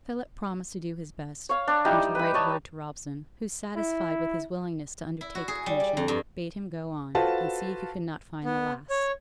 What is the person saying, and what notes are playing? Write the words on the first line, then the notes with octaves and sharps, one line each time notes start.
Philip promised to do his best, and to write word to Robson, who, satisfied with his willingness to undertake the commission, bade him go on and see if he could not find the lass.
C#5 F5
D4
G3 D#4 E4
B4 B5
C#5 D#5 A5
E4
E4
F#4
G#4
G3
D5
F2
G2
F4 F#4 A4 B4 C5 A5
B3
C#5